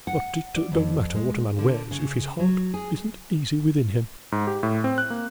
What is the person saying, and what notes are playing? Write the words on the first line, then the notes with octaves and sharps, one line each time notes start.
"But it don't matter what a man wears if his heart isn't easy within him."
F#5
D5
F2
G#3
D3
C#3
F#3
G#4
G#2
G4
A2
C4
F#6
A#3